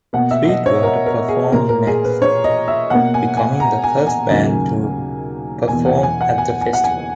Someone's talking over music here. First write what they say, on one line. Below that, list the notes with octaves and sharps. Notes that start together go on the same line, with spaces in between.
Sweetwater performed next, becoming the first band to perform at the festival.
B2 A#3 F#5
E5
D#5
C#5
A#4
A#4
G#4
A#2 A#3 A#4
A#4
G#4
B4
C#5
D#5
E5
B2 A#3 F#5
G#5
G#5
A#5
G#5
G#5
D#2 C#3 F#3 A#3
E2 B2 A#3 G#5
F#5
G#5
F#5
G#5
G#5
F#5
G#5